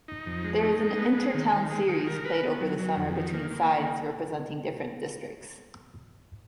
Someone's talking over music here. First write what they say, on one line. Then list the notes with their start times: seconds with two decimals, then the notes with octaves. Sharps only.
There is an InterTown Series played over the summer between sides representing different districts.
0.08 D#4
0.26 F2
0.44 G#3
0.63 D#4
0.80 G#3
0.98 B3
1.17 G#3
1.34 D#3
1.52 D#3
1.71 G#3
1.89 D#3
2.07 A#4
2.25 B4
2.43 B3
2.61 F#3
2.79 F#3
2.97 F2
3.16 D#3
3.34 A#3
3.51 A#3
3.69 D#3